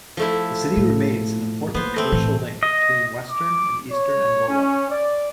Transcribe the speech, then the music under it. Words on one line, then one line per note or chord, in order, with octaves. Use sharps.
The city remains an important commercial link between western and eastern Angola.
F3 A3 E4
A2
A#3 B3 C5
A3 C4
A2 E3
D#5
D6
C#5
C#4
D5